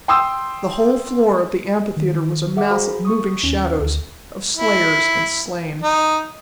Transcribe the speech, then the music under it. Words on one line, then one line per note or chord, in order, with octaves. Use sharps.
The whole floor of the amphitheatre was a mass of moving shadows, of slayers and slain.
G5 C6 D#6 E6
D#3
G#4 E5 F#5 D6
F#4 G#4 C5 F5 A#5 B5
C#6 D#6
D#2 C#4
D2
E4
D#4